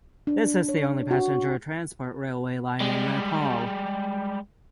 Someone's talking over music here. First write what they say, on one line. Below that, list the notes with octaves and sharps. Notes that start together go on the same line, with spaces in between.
This is the only passenger transport railway line in Nepal.
D4
C#5
F#4
G3 G#3